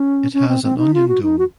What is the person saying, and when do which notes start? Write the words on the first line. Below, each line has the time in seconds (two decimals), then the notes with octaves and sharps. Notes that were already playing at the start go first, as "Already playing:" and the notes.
It has an onion dome.
Already playing: C#4
0.34 C#4
0.49 C4
0.64 C4
0.78 D#4
0.94 F4
1.08 F#4
1.23 D#4
1.38 F#4